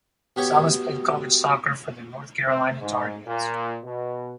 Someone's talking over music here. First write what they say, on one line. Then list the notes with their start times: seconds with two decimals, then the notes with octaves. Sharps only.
Salas played college soccer for the North Carolina Tar Heels.
0.36 B2 G4 C#5
2.47 C4
2.80 G#2
3.25 A#2
3.84 B2